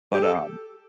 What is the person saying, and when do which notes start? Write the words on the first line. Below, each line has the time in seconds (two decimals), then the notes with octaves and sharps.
but, um,
0.14 G4
0.23 A4